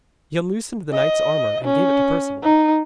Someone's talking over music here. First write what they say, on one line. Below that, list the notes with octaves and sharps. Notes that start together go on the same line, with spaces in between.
He unloosed the knight's armour and gave it to Perceval.
D#5
C#4
D#4